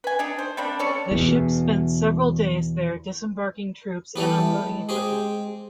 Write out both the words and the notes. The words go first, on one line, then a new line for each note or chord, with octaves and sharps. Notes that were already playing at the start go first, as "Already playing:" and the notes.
The ship spent several days there disembarking troops and unloading equipment.
B4 G#5
D4 D#4 G#4
C5
G3 A#3 C4 D4
C#4 A4 C#5 D5
E2 B2
E3 B3 G4 A4
G#3
C4 G4 G#4